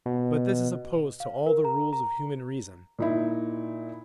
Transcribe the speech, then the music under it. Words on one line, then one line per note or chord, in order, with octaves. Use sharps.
But this is opposed to all the rules of human reason.
B2
F5
A#4
A#5
A#5
A#2 D#4 E4